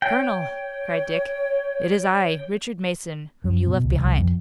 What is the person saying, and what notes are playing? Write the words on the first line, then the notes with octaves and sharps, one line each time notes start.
"Colonel," cried Dick, "it is I, Richard Mason, whom you left behind!"
C#5 G5
F#2
B2
C#2
C2
F2